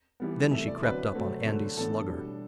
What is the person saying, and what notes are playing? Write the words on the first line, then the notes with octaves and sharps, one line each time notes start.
Then she crept up on Andy's Slugger.
E3 G3 B3
C3 E3 A3 E5
D5
D3 F#3 C4 B4
C3 F#3 A3 C4
D3 F#3 A3 D4
A2 E3 B3 D4 A4
B2 G3 D4